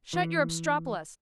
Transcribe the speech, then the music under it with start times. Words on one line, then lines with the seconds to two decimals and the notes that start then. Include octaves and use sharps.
Shut your obstropolos.
0.13 E3